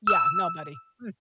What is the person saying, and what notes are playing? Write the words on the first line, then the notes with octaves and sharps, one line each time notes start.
Yeah, nobody. Mm.
E6